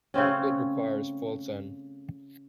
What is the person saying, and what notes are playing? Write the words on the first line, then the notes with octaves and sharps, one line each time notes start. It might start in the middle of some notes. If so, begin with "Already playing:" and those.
It requires full sun.
C#3 A3 C4 C#4